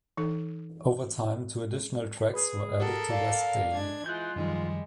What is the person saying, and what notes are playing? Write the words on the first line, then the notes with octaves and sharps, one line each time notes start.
Over time, two additional tracts were added to Westdale.
E3 D#4 A4
G#4 B4
G4 A4 A#4 F#5
D5 F5
G#3 D4 G#6
E3 G#3 F4 F#6 G6
F#2 D#3 F3 G3 G#3